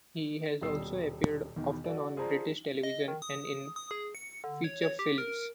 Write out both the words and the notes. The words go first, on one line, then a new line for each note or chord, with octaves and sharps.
He has also appeared often on British television and in feature films.
D#1 B2 G3 D#6 E6 C7
E2 B2 D#3
F#4 A4 D5
F4 G#4 C5 D5 A5 A#5
D#5
D#3
D#6
D#6
G#4
C#7
D3
C#5
C#5
G4
A#4